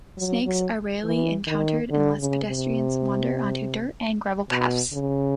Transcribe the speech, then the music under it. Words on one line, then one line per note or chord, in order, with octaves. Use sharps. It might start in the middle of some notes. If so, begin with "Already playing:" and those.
Snakes are rarely encountered unless pedestrians wander onto dirt and gravel paths.
F#3
F#3
E3
D#3
D3
C#3
C3
B2
C#3